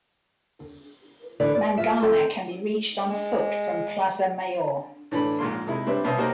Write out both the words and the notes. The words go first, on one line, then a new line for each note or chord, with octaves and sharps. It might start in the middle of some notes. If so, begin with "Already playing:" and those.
Mangana can be reached on foot from Plaza Mayor.
D3 E3 B4 D5
D5
F4 E5
C4 A4
G#3
A2 E3 D4 A4 B5
A#1 G#2 A#3 C6
C3 G#3 D#4 E4
G3 C4 D4 G4 B4 E5
C2 B2 C5 E5 D#6
A#3 D#4 F#4 G4 A#4 C5